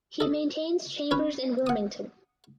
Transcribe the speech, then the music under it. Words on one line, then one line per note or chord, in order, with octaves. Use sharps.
He maintains chambers in Wilmington.
A4 D#5
C#4 B4
F#5 D#6